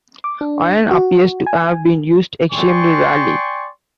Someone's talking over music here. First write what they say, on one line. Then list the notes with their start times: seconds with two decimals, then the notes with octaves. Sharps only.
Iron appears to have been used extremely rarely.
0.24 D6
0.41 D4
0.91 F#4
1.47 G#5
2.52 D5 G5 G#5 C6 C#6